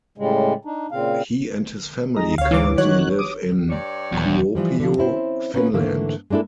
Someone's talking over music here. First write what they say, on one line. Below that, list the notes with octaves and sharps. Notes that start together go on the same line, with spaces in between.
He and his family currently live in Kuopio, Finland.
A2 C#3 G3 G#3
D4 D#4
A#2 C#3 C4 F5
G#3 D#4 A#5
D2 C#5 F5
E3 D6
D#3 F#3 C#5 F#6
D6 D#6
G2 C#5 D5
D#1 E2 F#3
E3 F3 G3
D3 F3
C4 C#4 E4 C5
A#3 B3 C#4 F4 B4
G#2 D3 E3 A3 A#3
G#3 A#3 D4 E4 A4